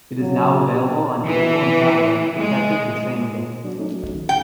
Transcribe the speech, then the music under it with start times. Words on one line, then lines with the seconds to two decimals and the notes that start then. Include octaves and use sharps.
It is now available on cable and satellite effective the same day.
0.19 C#3 F#3
0.72 D4 G4
1.26 E3
2.36 G#3
3.64 F#3 D4
3.79 A3 C#4 D#4
3.96 F#3
4.15 D#3
4.29 G5